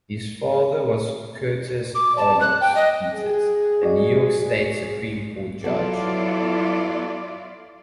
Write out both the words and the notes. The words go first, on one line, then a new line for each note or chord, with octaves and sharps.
His father was Curtis Arnoux Peters, a New York State Supreme Court judge.
D6
A5
F#6
G5
D#5
G#4
F#4 D5 D#5
F#3 B3 E4 F4 A4 D5